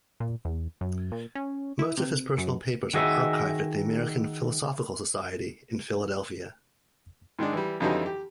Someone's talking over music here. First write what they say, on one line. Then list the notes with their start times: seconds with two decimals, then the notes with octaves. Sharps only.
Most of his personal papers are archived at the American Philosophical Society in Philadelphia.
0.20 A#2
0.45 E2
0.81 F#2
1.12 A#2
1.35 C#4
1.79 E4
1.97 C3
2.38 F#2
2.94 D#3 F#4 G#4 D#5 E5
7.39 G#2 D#3 G#3 D4
7.53 E3 G3
7.80 F2 D3 E3 F#3 G3 D#4
8.06 G4